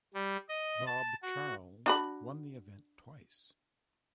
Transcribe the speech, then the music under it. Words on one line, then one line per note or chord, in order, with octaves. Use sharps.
Bob Charles won the event twice.
G3
D#5
A5
F#4
D4 F#4 B5